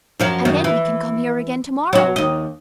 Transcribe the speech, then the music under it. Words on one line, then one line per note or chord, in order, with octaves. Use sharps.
"And then we can come here again to-morrow."
F#2 F3 F#3
F#2 D#3
E3
F#3 F#4
D#2 D#5